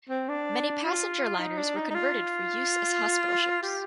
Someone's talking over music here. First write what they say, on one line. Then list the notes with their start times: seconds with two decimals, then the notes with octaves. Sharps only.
Many passenger liners were converted for use as hospital ships.
0.09 C4
0.29 D4
0.84 F4
1.39 D#4
1.57 D4
1.76 D#4
1.90 D#4
1.95 F4
3.62 G4